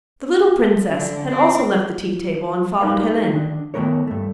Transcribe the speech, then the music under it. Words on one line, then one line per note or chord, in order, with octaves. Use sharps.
The little princess had also left the tea table and followed Helene.
D3
C4
D#4 A#4 B4 F5
D#3 D4
D#3 A3 B3 A#4 C#5
G2 A3